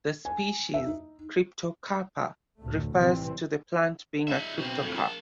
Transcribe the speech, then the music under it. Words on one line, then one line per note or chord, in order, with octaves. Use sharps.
The species 'cryptocarpa' refers to the plant being a cryptocarp.
G#5
E5
D#4
F1 D2 A2 A3
A1 C3 E3 G3 C4
D#4 E5
B2 C4
F2 A2
A#3 A5